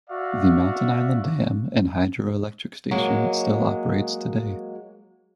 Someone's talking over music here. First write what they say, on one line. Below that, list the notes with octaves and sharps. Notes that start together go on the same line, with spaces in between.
The Mountain Island Dam and Hydroelectric Station still operates today.
F#4 D5 E5 F5
F#3 G#3 A#3